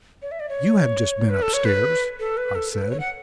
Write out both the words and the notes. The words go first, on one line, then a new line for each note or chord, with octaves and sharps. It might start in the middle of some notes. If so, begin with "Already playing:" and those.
"You have just been up-stairs," I said.
C#5
E5
D5
C#5
B4
A4
C#5
B4
A4
B4
A4
A4
B4
C#5
F#5